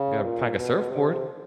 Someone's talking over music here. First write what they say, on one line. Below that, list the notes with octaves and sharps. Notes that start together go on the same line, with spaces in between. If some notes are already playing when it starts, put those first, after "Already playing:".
Gotta pack a surfboard.
Already playing: C#3
A#2
B2
C3